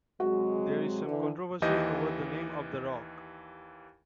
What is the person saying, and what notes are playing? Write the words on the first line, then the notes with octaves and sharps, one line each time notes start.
There is some controversy over the name of the rock.
C3 F#3 G#3 F#4
D3 E3
D#2 E3 G4 D#5 G6